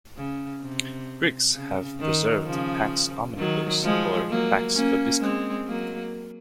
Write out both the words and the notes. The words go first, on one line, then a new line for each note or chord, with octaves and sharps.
Greeks have preserved the "Pax omnibus" or "Pax vobiscum".
C#3
C3
C#3
D#3
C#3 F3
D#3 F#3
F3 G#3
F#3 A#3
A#3 C#4
G#3 C4
F#3 A#3